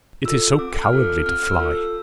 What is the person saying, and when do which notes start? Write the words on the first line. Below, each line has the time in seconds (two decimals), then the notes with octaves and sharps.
"It is so cowardly to fly!"
0.25 F4 A4 E6
0.59 C4 D6
0.82 F6
0.93 F4 A4
1.03 F6
1.26 C4 F6
1.49 E6
1.59 F4 A4
1.71 E6